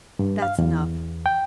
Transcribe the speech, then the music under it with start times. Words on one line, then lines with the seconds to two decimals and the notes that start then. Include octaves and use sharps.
That's enough.
0.19 G2
0.42 F5
0.58 E2
1.26 G5